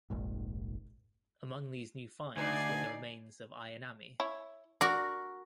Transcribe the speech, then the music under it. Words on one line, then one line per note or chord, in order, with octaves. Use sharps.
Among these new finds were the remains of "Ayanami".
F1 A#1 G#2
D2 D#4 D5 G#5 C7
E4 C#5
F#4 A#4 D5